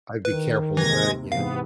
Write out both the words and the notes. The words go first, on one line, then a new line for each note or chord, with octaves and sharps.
I'd be careful about it, yeah.
D#3 B4
D#2 C3 E3 G#3 G#6 A#6
G#2 C3 E3 B3 F5